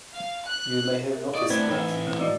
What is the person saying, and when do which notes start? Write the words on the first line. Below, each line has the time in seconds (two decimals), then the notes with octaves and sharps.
You may have noticed that.
0.14 F5
0.46 F#6
1.13 A#4
1.35 E4 D5 D#5 F5 D#6
1.50 A3 B3 C4 D4 B4 E5 B5 G#6
1.69 A2 E3 A3 D#4 G5 B5
2.07 A#2 A3 C4
2.20 G#3 D#4 F#4 D5 D#5